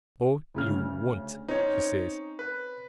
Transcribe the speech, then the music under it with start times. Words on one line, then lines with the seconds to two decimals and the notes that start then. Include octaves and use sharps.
"No you won't," she says.
0.54 D2 C#3 F6
1.48 C4 C#4 D#4 C#5
2.39 B4